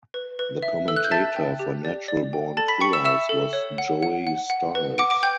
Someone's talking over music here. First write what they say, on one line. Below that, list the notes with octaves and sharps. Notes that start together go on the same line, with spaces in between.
The commentator for Natural Born Killaz was Joey Styles.
B4
B4
E5
A4 E6
F#6
G6
E5 A5 A6
G5
G4
D5
D5
G5
A4 A5 A6
B5 B6
G5 C#6 C#7
E6 E7
E5 E6 E7
A4
C#5
F#5
F#5
F#5
F#5
B4
F#5 D6 D7
D6 D7
G5 G6